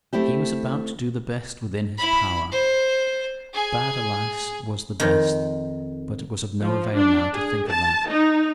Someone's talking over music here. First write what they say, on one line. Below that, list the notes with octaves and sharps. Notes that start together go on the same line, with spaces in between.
He was about to do the best within his power. Bad, alas, was the best, but it was of no avail now to think of that.
A3 C4 E4 G4
E4 B5
C5
G#4 G#5
F2 D#3
F3
D4
G#4
A5
D#4